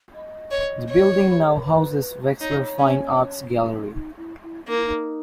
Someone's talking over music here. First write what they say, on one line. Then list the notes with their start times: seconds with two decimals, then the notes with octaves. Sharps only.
The building now houses Wexler Fine Arts Gallery.
0.14 D#5
0.51 C#5
0.89 C#5
1.36 G4
1.46 G#4
1.55 A#4
1.65 B4
2.41 D#4 C#5
2.79 C#4
3.93 D#4
4.17 E4
4.43 E4
4.68 A#3 D#4
4.76 E4
4.86 D#4